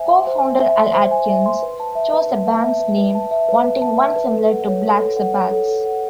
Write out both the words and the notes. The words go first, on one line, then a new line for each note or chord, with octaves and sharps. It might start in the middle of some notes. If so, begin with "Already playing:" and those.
Co-founder Al Atkins chose the band's name, wanting one similar to Black Sabbath's.
Already playing: C5 E5 G#5
C6
C5
G#5
E5
C6
C5
G#5
E5
C6
B4
A5
E5
B4
B4
A5
E5
B4
B4
A5
E5
B4
B4
A5
E5
B4
A4
F#5
C#5
A4
A4
F#5
C#5
A4
A4
F#5